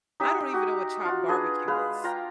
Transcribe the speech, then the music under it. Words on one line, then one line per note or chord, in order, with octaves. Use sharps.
I don't even know what chopped barbecue is.
D#4 G4 E5 G#5
F#4 G4
F4 F#4
D4 G#4 B4
G#3 B4 F5
F4 F5 G5 A#5